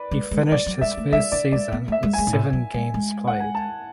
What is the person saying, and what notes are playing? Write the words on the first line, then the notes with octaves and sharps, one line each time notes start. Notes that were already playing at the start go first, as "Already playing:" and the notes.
He finished his first season with seven games played.
Already playing: B4 D5
G#3
G#3
F#3 D5
F#3
G#3 E5
A3
G#3 E5
D3 D5
G#3 D5
B3
A3
E5
G#3
G#3 G#5
G#2
A2
F#3
G#3
G#3
F#5
G#5
A5